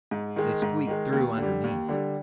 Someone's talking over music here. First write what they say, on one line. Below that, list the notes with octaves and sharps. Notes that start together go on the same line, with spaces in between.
They squeaked through underneath.
G#2
D#3 G#3
G#2
D#3 G#3
D#2
D3 G3
D#2
D3 G3